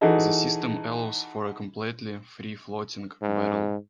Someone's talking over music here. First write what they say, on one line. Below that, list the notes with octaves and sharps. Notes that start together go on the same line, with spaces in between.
This system allows for a completely free floating barrel.
E3 D#4 F#4 G#4 A4 D#5
G#2